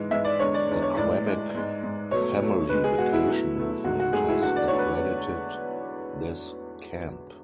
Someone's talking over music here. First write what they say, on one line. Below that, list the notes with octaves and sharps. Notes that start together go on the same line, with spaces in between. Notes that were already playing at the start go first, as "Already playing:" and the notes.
The Quebec Family Vacation Movement has accredited this camp.
Already playing: G#2 E3 G#3
G#2 E3 G#3 E5
D5
E2 D3 G#3 C#5
D5
E2 D3 G#3
C#5
A2 G#3 D5
A2 G#3
G#2 G#3
G#2 G#3
B2 F#3 A3 C#5
B2 F#3 A3
B2 G#3 B4
G#4
B2 G#3 F#4
E4
B2 F#3 A3
B2 F#3 A3
G#2 F#3 A3 F#4
F#4
G#2 F#3 A3 G#4
E4
E2 D3 A3 F#4
D5
E2 D3 A3 C#5
B4